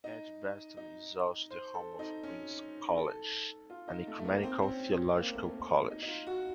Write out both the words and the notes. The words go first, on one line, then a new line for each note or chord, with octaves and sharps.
Edgbaston is also the home of Queen's College, an ecumenical theological college.
D#4
D#4
C5
A4
D#4
C#4
A4
F4
D#4
A3
A3
A#3
C4
C4
C#4
C4
A#3
A3
A#3
C#4
D#4
D#4
F4
F#4